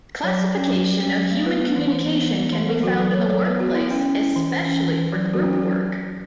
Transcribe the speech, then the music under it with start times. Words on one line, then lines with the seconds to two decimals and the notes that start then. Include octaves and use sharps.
Classification of human communication can be found in the workplace, especially for group work.
0.23 F#3 C#5
0.39 F#3
0.55 C#4
0.69 F#3
0.85 F#3
1.00 C#4
1.16 F#3
1.31 A3
1.46 B3 B4
1.61 B3
1.76 E3
1.92 E3
2.07 B3
2.22 B3
2.38 B3
2.53 E3
2.69 B3 A4
2.83 F#3 F#4
2.98 F#3 B4
3.14 F#3 C#5
3.29 F#3 C#5
3.45 B3 B4
3.60 B3 F#4
3.75 B3 E4
3.90 C#4 E4
4.05 C#4
4.21 C#4
4.36 E3
4.52 E3
4.67 C#4
4.83 E3
4.97 E3
5.12 F#3
5.28 F#3
5.34 F#4
5.43 C#4
5.53 F#4
5.59 F#3